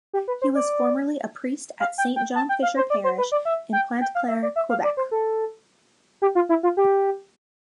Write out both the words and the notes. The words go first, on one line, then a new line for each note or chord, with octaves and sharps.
He was formerly a priest at Saint John Fisher parish in Pointe-Claire, Quebec.
G4
B4
C5
D5
F5
G5
G5
A5
G5
F5
C5
D5
C5
B4
D5
E5
G5
G5
F5
E5
D5
E5
F5
D5
C5
A4
G4
F4
E4
F4
G4